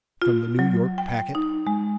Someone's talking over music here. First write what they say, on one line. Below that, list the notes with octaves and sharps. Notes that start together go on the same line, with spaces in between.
From the New York Packet.
F4
F#3
G5
D#4
G#3